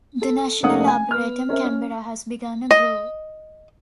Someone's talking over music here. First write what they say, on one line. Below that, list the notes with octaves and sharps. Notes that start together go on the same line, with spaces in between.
The National Arboretum Canberra has begun a grove.
A4
F1 A3 A#3 C#4 F#5 D#6
G#5
B3 F6
C#4 A#4 C5 E5
C#4
D#5